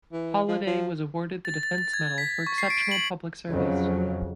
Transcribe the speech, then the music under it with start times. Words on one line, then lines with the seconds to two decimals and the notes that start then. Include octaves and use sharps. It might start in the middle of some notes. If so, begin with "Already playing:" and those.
Holliday was awarded the Defense Medal for Exceptional Public Service.
0.13 E3
0.48 F3
0.67 F3
1.45 A6
1.63 A6
1.78 A6
1.93 G#6
2.18 B6
2.47 C#6
2.58 C7
2.70 D7
2.91 F#7
3.49 F2 C#3 F#3